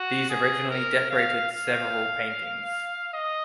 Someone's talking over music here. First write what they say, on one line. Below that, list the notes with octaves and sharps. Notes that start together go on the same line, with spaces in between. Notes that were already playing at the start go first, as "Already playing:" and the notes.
These originally decorated several paintings.
Already playing: F#4
G#4
A#4
F5
F5
D#5